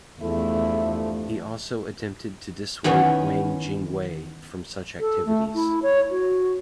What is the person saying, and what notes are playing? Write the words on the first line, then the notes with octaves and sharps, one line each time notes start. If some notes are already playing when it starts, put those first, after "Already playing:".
He also attempted to dissuade Wang Jingwei from such activities.
E2 G2 F3 A3 E4 A4
D#3 E3 B3 C#4
A4
A3
E4
C#5
F#4